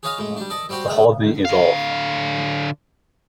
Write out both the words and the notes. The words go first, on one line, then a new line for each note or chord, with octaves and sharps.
The whole thing is off.
G#4 B4 C#5 D#5 F5 G#5
A2 G#3
G3 D4
A4 D5 D#5
G3 C4 F#4 G4 C5
A3 G#4
D3 F5